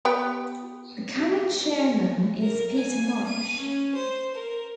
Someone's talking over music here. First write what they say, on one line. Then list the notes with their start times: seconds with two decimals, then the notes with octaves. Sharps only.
The current chairman is Peter Marsh.
0.05 B3 G4 G5
2.42 A#4
2.76 G#5
3.27 D#7
3.59 C#4
3.95 C5
4.35 A#4